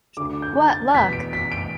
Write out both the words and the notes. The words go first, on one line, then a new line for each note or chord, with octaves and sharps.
What luck!
D2 D3 D6
G6
A6
E2 B2 B6
D7
B6
D7